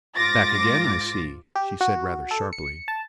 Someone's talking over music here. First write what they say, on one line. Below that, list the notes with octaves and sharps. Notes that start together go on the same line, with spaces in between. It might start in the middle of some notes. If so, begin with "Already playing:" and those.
"Back again, I see," she said rather sharply.
G#2 F4 D6 A6 A#6
G4
F#4
A4
C#7
A5